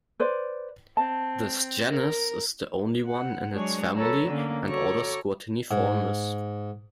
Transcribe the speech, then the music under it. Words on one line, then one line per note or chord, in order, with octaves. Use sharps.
This genus is the only one in its family and order Squatiniformes.
B4 C5 D5
C4 A5
A#4
F#5
F#3 G#3 D4 G#4 C#5
A4 B4 C#5 A#5 E6
D3 A#3 C#4
F#4 A4 C#5 A#5 C#6 D6
G#2